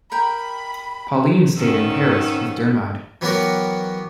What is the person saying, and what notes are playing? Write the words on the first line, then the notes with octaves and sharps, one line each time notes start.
Pauline stayed in Paris with Dermide.
A#4 G5 B5
G#2 D#3 C#4 E6
E3 F#3 B3 F#4 G4 A#4